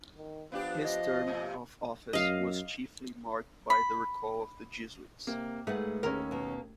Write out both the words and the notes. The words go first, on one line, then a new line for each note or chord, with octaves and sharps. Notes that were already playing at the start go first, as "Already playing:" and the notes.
His term of office was chiefly marked by the recall of the Jesuits.
D#3
F3 B3 D4 G4 F5
D#5
A2 C3
F#2 D#5 F5
B5
C3 A#3
G#2 A3 G#4 B4 F#5
D#2 C#4 A#4
B2 A#3